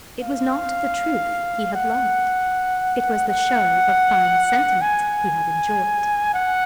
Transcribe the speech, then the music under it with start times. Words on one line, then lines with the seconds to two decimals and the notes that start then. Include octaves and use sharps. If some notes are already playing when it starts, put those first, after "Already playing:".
It was not the truth he had loved; it was the show of fine sentiment he had enjoyed.
0.22 F5
1.75 F#5
3.29 F#5
4.81 G#5
6.34 F#5